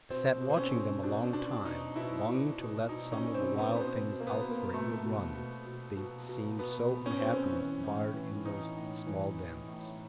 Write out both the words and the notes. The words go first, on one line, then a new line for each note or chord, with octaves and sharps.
I sat watching them a long time, longing to let some of the wild things out for a good run, they seemed so unhappy barred in those small dens.
B2 C4
B2
C4
C#4
B2
B2 D4
B2 D4
B2 D#4
B2 E4
B2
B2
B2 D#4
C#4
B2
C4
B2
B3
B3
B2 C4
B2
A#3
B3
B2
A#3
B2 A3
B2
B2
B2
B2
B2
B2 B3
B2
C#4
B2 C4
C#4
E3
A2
E3
E3 D#4
A2
E3
E3
A2